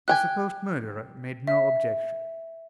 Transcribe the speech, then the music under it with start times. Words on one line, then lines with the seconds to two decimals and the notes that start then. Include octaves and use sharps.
The supposed murderer made no objection.
0.08 G4 G5 G#5 F#6
1.47 E5